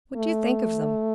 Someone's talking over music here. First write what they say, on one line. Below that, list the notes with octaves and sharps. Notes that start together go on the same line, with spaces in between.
What do you think of them?
A3